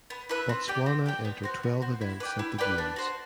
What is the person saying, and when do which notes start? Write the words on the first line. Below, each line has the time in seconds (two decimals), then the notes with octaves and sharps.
Botswana entered twelve events at the games.
0.10 B3
0.29 E4 B4 E5
0.49 C4
0.68 G4 D5 G5
0.86 C4
1.06 G4 D5 G5
1.25 B3
1.43 F#4 C5
1.63 B3
1.82 F#4 C5
2.01 E4
2.20 B4 D5 G5
2.39 E4
2.59 B4 D5 G5
2.78 D4
2.96 F#4 C5